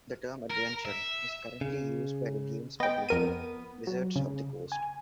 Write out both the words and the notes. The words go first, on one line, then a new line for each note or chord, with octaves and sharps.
The term "adventure" is currently used by the game's publisher Wizards of the Coast.
A#4
E5
C#3
B3 D#5 G5
F2 A#4 D#7
F#3
C#3
G#5